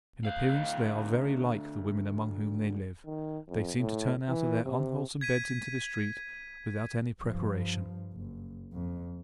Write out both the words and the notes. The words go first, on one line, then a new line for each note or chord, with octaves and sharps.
In appearance, they are very like the women among whom they live. They seem to turn out of their unwholesome beds into the street, without any preparation.
D2 F5
D#3
F2
A2
E3
C3
G#6 B6 D#7
G2 F3
F#1
F2